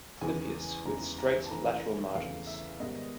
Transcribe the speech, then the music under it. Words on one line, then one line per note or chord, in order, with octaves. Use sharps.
Clypeus with straight lateral margins.
E2 C#3 E3 G#3 G#5
E2 C#3 E3 G#3 A#5
A#5
A5
E2 C#3 E3 A3 A#5
A#5
E2 C#3 E3 A3 F5
E5
G#2 D#3 G3 B3 D#5